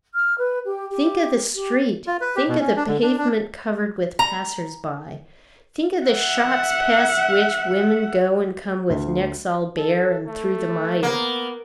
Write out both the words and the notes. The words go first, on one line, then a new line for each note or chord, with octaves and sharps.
Think of the street, think of the pavement covered with passers-by, think of the shops past which women go and come with necks all bare, and through the mire.
F6
B4
G4
G4
G4
F4
B4
G4
B2
C#4
D4
D3
D4
D4
A#5
E5 F#5
D2
A4
A3
A#3 B3